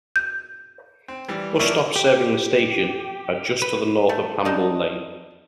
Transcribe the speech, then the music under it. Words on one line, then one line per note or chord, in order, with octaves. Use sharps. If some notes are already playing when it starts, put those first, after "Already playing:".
Bus stops serving the station are just to the north on Hamble Lane.
G6
C4
E3 G3
F3 A#3 D4 E4 A#4 C#5
G4
B4
A3
D4 D#4